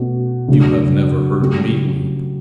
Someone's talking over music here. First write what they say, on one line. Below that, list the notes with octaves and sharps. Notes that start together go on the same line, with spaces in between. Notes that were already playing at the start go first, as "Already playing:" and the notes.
You have never heard me weep.
Already playing: B2 A3 C#4
C#3 F#3 A3 D4 F#4
C#3 F#3 A3 C#4 G4